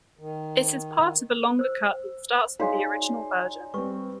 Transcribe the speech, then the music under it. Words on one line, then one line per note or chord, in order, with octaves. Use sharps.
It is part of a longer cut that starts with the original version.
D#3
C5 E6
D#4 F#4 G#4 C#5 D5 F5 G#5 C6
G3 C4 B4 C#6